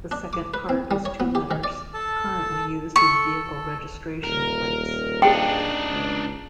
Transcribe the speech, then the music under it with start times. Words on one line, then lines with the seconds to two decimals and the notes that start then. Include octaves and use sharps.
The second part is two letters, currently used in vehicle registration plates.
0.11 D4
0.33 D6
0.54 B4
0.69 C4
0.91 G3
1.05 C#5
1.20 B3
1.35 G4
1.51 D#3
1.64 D5
1.94 A4 A5
2.96 A4 C#6
4.24 D#1 A#4
5.22 D4 D#4 G4 G#4 F5 G5
5.90 C#2